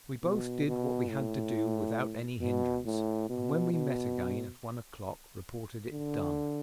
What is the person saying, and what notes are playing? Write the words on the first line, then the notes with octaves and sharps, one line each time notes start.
We both did what we had to do without any hindrance, and when we met again at one o'clock reported it done.
B2
B2
A2
B2
A2
B2
B2
D3